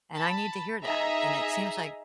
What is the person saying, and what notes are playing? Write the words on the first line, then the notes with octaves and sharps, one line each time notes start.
And I need to hear that, and it seems like
A5 B5
D#4 G#4 D#5 E5 A#5